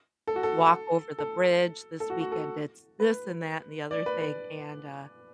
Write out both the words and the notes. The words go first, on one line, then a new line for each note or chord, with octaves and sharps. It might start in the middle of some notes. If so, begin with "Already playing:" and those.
walk over the bridge, this weekend, it's this, and that, and the other thing, and, uh
A4
F#4
A4
A4
A4
F#4
F#4
A4
B4
D5
B4
B4